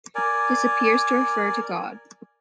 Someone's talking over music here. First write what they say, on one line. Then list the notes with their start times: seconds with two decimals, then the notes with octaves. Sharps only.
This appears to refer to God.
0.15 A#4 D5 G#5